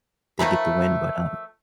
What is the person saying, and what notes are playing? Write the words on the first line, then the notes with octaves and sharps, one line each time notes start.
they get the win. But, um,
D#3 F3 A3 B4